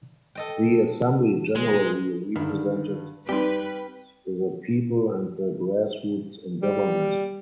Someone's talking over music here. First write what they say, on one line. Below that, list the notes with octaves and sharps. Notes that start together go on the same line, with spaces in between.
The assembly generally represented the people and the grassroots in government.
A4 D#5 G5
G#3
G2 D3 D#3 D4
G3 C4 D#4 G4 B4
G3